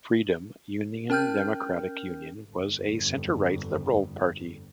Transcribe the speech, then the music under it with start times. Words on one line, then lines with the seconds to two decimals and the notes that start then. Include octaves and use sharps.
Freedom Union-Democratic Union was a centre-right liberal party.
1.10 C#4 A#4 G5 F6 G6
2.49 G1 F2